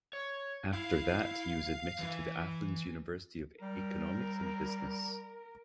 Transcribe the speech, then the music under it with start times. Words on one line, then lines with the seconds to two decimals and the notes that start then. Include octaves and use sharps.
After that, he was admitted to the Athens University of Economics and Business.
0.13 C#5
0.73 E4 F5
1.99 E3 B4
3.62 G3 A#4